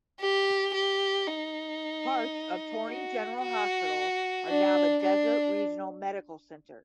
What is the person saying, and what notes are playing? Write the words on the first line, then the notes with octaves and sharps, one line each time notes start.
Parts of Torney General Hospital are now the Desert Regional Medical Center.
G4
G4
D#4
F#4
F#4
D4
D4